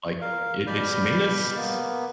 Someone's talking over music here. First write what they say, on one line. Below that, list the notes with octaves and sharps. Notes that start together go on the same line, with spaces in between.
like, it it's made us s
A#4 F5
B2 G3 D5 B5 F6 G6
A#3 B3